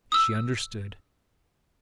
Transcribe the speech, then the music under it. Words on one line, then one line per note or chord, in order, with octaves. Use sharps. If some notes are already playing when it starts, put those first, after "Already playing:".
She understood!
D#6 E6